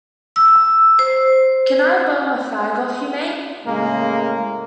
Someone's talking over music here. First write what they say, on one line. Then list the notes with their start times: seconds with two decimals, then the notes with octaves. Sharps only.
Can I bum a fag off you, mate?
0.36 E6
0.99 C5
3.65 A2 C#3 G#3 A#3